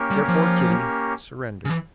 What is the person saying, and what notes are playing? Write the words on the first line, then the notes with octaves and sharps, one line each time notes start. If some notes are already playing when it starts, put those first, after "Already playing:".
Therefore Kitty surrendered.
Already playing: A#3 C#4 G4 A#4 C#5
G3
F3
C#3
E3